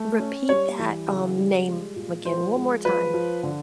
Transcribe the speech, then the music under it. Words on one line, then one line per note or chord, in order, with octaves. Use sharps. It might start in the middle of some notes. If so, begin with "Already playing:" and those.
Repeat that, um, name again one more time.
Already playing: A3
C#4
G3 C#5
E3
C#3
G3
G#3
A#2
F3 C5
G#3
F3 B4
F3
D3